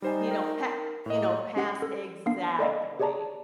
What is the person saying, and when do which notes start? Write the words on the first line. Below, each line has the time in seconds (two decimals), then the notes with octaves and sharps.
You know, pa you know, pass exactly.
0.02 G3 D#4 C5 G#5
0.28 A#4 G5
1.06 A2 A#3 D#5
1.56 C#4 G4 F#5 C7
1.82 A4
2.26 A#3 B3 D4 F5 C7
2.59 A4 D5 D#5 F5
2.99 G4 G#4 C#5 D5 A5 A#5